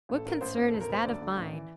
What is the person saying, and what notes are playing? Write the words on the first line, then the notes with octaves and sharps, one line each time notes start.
"What concern is that of mine?"
A1
A4
A1 A#4
A1 C5
A1
A4
E1
A#4
E1 C5
D2 D5
D2
A1
E3